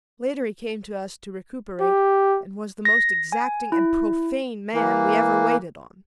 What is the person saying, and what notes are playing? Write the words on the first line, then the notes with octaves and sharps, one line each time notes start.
Later he came to us to recuperate, and was the most exacting and profane man we ever waited on.
G4
A#6
G#5
E4
E3 A#3